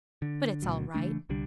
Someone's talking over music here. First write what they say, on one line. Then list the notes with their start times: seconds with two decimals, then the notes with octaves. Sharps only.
But it's all right.
0.22 D3
0.62 D2 B2 F#3
0.94 C#3 E3 A3 D4
1.29 C2 D3 G3 D4